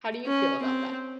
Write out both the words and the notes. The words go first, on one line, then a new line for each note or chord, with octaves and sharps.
How do you feel about that?
C#4
C4